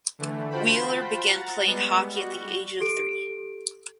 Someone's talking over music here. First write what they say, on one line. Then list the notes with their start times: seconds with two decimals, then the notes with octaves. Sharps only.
Wheeler began playing hockey at the age of three.
0.19 D3 E3 A3
0.50 F4 F#4 C5 G5 A5 B5
1.25 F#5 A#5 A6
1.66 G3 G#3 B3
2.12 G3 F#4
2.81 G4 A4 D7